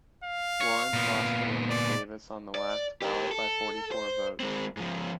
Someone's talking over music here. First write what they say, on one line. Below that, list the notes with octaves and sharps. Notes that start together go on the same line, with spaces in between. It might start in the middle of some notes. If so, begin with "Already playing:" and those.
Lawrence lost to William Davis on the last ballot, by forty-four votes.
F5
C#5
A#2 B3
D5
D5
G4 A#4
A4
C5
G#3 C4
G#2 F3